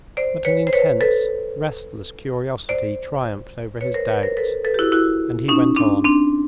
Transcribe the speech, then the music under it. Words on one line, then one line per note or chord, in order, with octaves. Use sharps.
But an intense, restless curiosity triumphed over his doubts, and he went on.
C5 D5
B4 C#5
C5
B4 C#5
A4 B4
C5 D5
B4 C#5
A#4 C5
B4 C#5
A#4 C5
A4 B4
A4 B4
G4
E4 F#4
E4 F#4
C#4 D#4
C4 D4
C4 D4